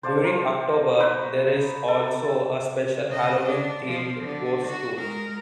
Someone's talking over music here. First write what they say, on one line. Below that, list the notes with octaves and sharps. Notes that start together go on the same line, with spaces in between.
During October, there is also a special Halloween themed ghost tour.
C5 D5 F5 A5
A#4 C5
D#4 B4 C#6
A4
C#3 D#5
D4
F3
D3
F#4
G#3 A#4